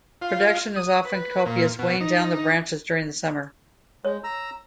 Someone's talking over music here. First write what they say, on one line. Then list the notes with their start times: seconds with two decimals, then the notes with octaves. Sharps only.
Production is often copious, weighing down the branches during the summer.
0.22 F4
0.76 D#6
1.05 B4
1.46 A#2
1.79 B2
2.01 D#4
2.24 D#4
4.05 G#3 C#5
4.24 A#5 E6